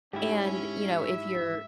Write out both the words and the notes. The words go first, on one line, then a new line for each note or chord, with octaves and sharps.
And, you know, if you're
G#2 C#4 E4 G4
E5